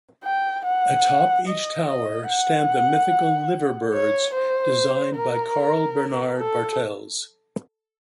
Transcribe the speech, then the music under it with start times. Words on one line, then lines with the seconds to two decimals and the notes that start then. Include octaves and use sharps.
Atop each tower stand the mythical Liver Birds, designed by Carl Bernard Bartels.
0.24 G5
0.65 F#5
1.47 D#5
1.88 D#5
2.28 F#5
3.93 C#5
4.34 C5
5.15 A#4
6.38 A4